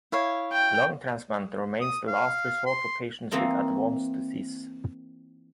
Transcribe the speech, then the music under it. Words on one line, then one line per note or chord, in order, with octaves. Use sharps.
Lung transplant remains the last resort for patients with advanced disease.
E4 C#5 F5
G5
D#6
F5
C6
E3 A#3 C4 D#4